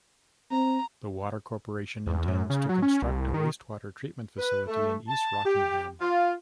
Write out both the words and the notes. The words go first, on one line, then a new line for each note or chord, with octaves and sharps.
The Water Corporation intends to construct a wastewater treatment facility in East Rockingham.
C4 A#5
E2
F#2
C#3
F#3
C#4
C2
D#3
B4
A3
A5
G4
F4